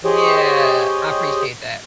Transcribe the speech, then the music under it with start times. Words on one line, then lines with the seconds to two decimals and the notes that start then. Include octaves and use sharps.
Yeah. I appreciate that.
0.05 G4 G#4 C5 C#5 D#5